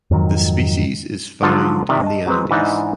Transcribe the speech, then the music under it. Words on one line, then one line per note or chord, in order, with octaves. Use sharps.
The species is found in the Andes.
F2 G#2 D#3 F#3
D3 F3 F#3 F4 A4
C3 D#3 D5 E5
D#5 A5
F#3 G#3 C4 B4
G#2 E3 D4 D#4 E5